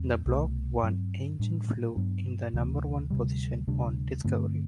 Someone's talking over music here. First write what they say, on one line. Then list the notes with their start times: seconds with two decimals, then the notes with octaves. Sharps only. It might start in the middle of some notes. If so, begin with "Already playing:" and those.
The Block I engine flew in the number one position on Discovery.
Already playing: E2 F#3 C4
0.26 C2 B2 A3
0.83 G2 F#3 C4
1.39 A2 G3 D4
1.97 G2 F#3 B3 D4
2.54 D2 C3 E3 A3
3.10 D2 C3 G3
3.67 D2 C3 G3 D4
4.24 G2 D3 A3 C4